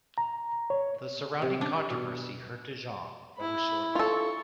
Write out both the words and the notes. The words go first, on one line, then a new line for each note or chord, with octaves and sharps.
The surrounding controversy hurt De Jong but was short-lived.
A#5
C#5
C3
D4
B2
E4 B5
F4 A4 C#6